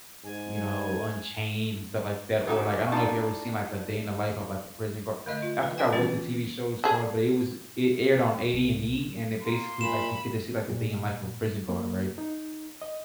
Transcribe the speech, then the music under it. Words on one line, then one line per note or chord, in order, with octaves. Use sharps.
you know, Unchained and stuff like that or, like I don't know if you've ever seen like a day in the life of like a prison guard, I forgot what the TV show is called, but it was it aired on A&E and it basically, like, you get to see, like, a day in the life of a prison guard, right?
G#2 G#5
A#2 C#3 D#4 F#4 G4
D4 D#4 F4 D5
D3 A3 D#5 E5
F4
B4
G4 B4 E5 G5 G#5
D#3 E3 G3 C#4 F4
G#4 A4
C2
A#3 C6
A#2 B5 E7
A#2
A#3
D#4
D#5